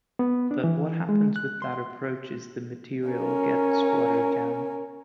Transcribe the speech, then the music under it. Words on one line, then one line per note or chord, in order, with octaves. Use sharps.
But what happens with that approach is the material gets watered down.
B3
D4
E3
G#3
F#6
C6
C#4 A#4